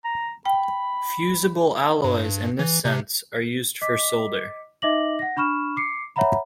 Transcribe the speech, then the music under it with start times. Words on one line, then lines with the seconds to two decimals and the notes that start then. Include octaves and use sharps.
Fusible alloys in this sense are used for solder.
0.05 A#5
0.45 G5 B5
2.04 G2
2.59 E3
2.85 C3
3.81 D#5 D6 B6
4.82 D#4 D#5 E5 D6 A#6 F#7
5.19 F#5 A#6
5.37 D4 B5 C#6 F6 E7
5.76 D6 C7 C#7
6.16 C#5 E5 F#5 A#5 B5